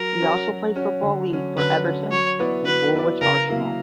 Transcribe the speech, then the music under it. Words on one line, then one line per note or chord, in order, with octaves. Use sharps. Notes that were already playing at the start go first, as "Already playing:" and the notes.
He also played Football League for Everton and Woolwich Arsenal.
Already playing: F#3 A#4
C#4 F#4 C#5
F#3
C#4 F#4 C#5
D3
F#3 C#4
D3 B4
F#3 C#4
F#3 C#5
B3 E4 B4 D5
F#3 B4
B3 E4 B4 D5
C#3 A#4
F#3 A#3 E4 A#4